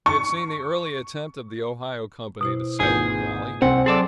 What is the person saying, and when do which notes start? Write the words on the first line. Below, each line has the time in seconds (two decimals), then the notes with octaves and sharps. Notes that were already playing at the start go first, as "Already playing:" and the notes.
We have seen the early attempt of the Ohio Company to settle the valley.
0.06 C#6
2.41 B2 E4 C5
2.80 G#1 A#3 F4 G#4 B4 G6
3.62 C2 C4 F#5 G#5
3.86 F#3 G#4 A4 D5 C6